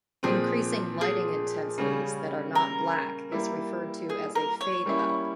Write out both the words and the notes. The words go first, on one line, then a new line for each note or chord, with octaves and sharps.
Increasing lighting intensities that are not black is referred to as a fade-up.
A#2 F3 C4 G#4
G#4
C#3 G3 C#4
A#4
G3 A#3 E4
G#4
A#4
C#5
G3 A#3 C#4 E4